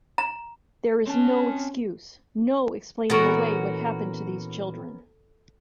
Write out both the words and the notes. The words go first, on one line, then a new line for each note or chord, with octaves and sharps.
There is no excuse, no explaining away what happened to these children.
A#5
C4 C#4 A5
A#2 E3 B3 C#4 F#4 A4 A#4 C#6